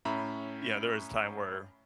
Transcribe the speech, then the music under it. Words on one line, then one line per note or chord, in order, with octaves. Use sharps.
yeah, there was a time where
A2 C#4 E5 A#5 B5